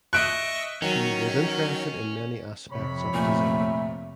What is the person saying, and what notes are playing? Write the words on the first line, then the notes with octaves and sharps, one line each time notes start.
She was interested in many aspects of design.
D#5 E5 C#6 F#6 D7
D#3 F#3 C#4
F2 C3 C#5 B5
A#2 A3